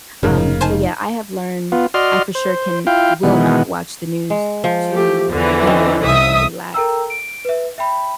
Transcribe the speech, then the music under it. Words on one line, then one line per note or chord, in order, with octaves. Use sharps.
um, so yeah, I have learned I for sure can will not watch the news to unwind and relax,
F1 G#2 C#3 A#3 D#4
D#4 C5 G#5 A5
B3 F4
F#4 D5 D#5 C6 F6
C5
E4 F4 F5 G5
B2 D#3 E3 G#3 B3
G#3
F3
A3 G4
E2 D3 E3
C4 C#4 D#4
C2 E5 D#6
A4 A#4 G5 A#5 E6
D7
B4 E5
E5 G5 B5